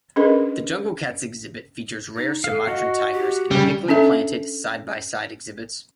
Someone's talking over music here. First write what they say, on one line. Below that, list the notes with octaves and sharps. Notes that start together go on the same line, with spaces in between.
The Jungle Cats exhibit features rare Sumatran tigers in thickly planted, side-by-side exhibits.
C#4 D4 G#4 A#4 B4 D#5
D#4
A4 F5
F#4 D#5
G4
C#3 G3
C#4 D4 A4 E5